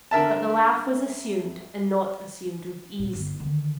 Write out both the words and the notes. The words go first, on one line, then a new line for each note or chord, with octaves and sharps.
But the laugh was assumed, and not assumed with ease.
D3 A#4 E5 A5
A#2
G1 D3
D3 D#3